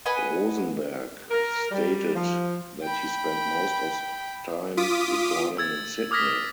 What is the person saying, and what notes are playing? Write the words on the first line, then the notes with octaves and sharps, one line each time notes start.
Rosenberg stated that he spent most of time recording in Sydney.
B4 D#5 F#5 G#5
A#4
G3
F3
G5 B5
F4 D6 D#6 B6
E6 G#6 A6
D6 D#6 F6 G#6 A#6 B6